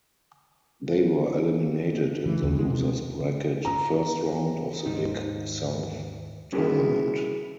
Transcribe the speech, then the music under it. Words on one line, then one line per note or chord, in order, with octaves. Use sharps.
They were eliminated in the losers bracket first round of the Big South Tournament.
E3
D#2
G#3
C3
A#5
D#2 G#2 D#4
G3 C#4 E4 F#4 G#4 A#4